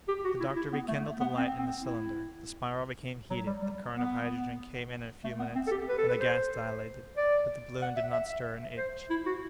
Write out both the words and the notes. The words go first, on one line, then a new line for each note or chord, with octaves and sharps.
The doctor rekindled the light in the cylinder; the spiral became heated; the current of hydrogen came in a few minutes, and the gas dilated; but the balloon did not stir an inch.
G4
F#4
E4
E4
B3
A3
A3
B3
C4
C4
E4
F#3
G3
G3
B3
A3
B3
C4
A4
G4
B4
A4
B4
C5
D5
F#5
E5
E5
E5
C5
E4
F#4